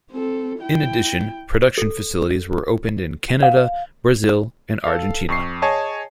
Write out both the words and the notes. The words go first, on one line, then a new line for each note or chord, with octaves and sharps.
In addition, production facilities were opened in Canada, Brazil and Argentina.
C4 A4
E4 G5
A4
F5
A4 F5
F2 C#6 C7
G#4 C#5 D#5 G#5 A5